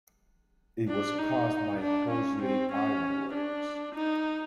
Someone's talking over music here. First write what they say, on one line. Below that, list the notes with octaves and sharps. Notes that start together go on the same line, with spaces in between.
It was cast by Horseley Ironworks.
D4
D#4
D4
C#4
C4
C#4
D4
D#4